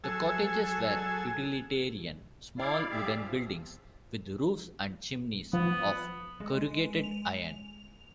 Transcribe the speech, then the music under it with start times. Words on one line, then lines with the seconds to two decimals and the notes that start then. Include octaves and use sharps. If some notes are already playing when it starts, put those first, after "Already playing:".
The cottages were utilitarian small wooden buildings with roofs and chimneys of corrugated iron.
0.04 F#3 G#4 A4 G#5 E6
2.58 E4 D5 F5
2.90 G4 G#4 D5 E5 F5
3.17 F3
5.53 F3 B3
6.40 G#3
7.04 F7